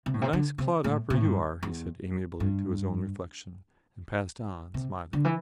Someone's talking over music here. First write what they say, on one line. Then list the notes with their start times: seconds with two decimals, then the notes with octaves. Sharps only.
"A nice clodhopper you are!" he said amiably to his own reflection, and passed on, smiling.
0.06 C3
0.14 A2
0.22 C3
0.33 D3
0.58 C3
0.84 A2
1.10 C3
1.16 A2
1.24 G2
1.63 E2
2.40 G2
4.74 C3
5.13 D3
5.25 E3